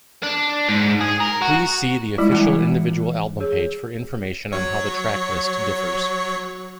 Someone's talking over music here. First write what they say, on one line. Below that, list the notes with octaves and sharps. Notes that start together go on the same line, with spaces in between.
Please see the official individual album page for information on how the tracklist differs.
D4
G#2
G#4
A#4
F#4
G3 G#3 E4
E3 E4 F#5
G#4 C#5
F#3 C#5